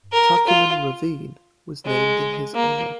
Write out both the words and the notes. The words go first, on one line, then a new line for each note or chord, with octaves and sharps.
Tuckerman Ravine was named in his honor.
A#4
F4
G#3
A#3